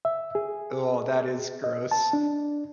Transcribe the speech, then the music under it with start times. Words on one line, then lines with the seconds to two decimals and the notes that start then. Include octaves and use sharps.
Oh, that is gross.
0.05 E5
0.35 G#4
1.64 D#5
1.91 A5
2.13 D4